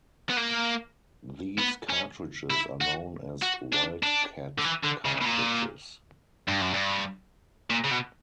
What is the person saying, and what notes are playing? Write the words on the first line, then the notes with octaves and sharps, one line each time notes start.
These cartridges are known as wildcat cartridges.
B3
A#3
B3
C#4
E4
F#4
F#4
D4
D4
D3
E3
D3
C#3
B2
A#2
G2
F#2
G2
A#2
C#3
B2